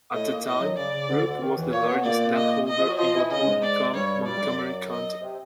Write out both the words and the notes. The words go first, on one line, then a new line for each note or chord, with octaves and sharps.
At the time, Brooke was the largest landholder in what would become Montgomery County.
A2 A3 D#5
A#2 A#3
A2 A3 D#5
F#2 F#3
C#3 D5
C#3
D2 D3
D2 D3
D#2 D#3
E2 E3
A#2 A#3 C#5
B2 B3
A#2 A#3 D5
D#5
D#5
F3 F4
F#3 F#4
F3 F4 D#5
E3 E4
C#3 C#4 D#5
G#2 G#3
D5
G2 G3 C#5
G2 G3 D5
G3
F#2 F#3
D#5
C3 C4